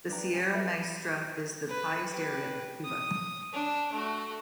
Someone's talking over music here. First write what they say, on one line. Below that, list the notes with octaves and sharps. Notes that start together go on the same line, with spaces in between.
The Sierra Maestra is the highest area of Cuba.
D4 B4 G5 A#5
C#4 G#5
A4 B4 E5 B5
B4
G4 B4
D#6
D4
A3 F#4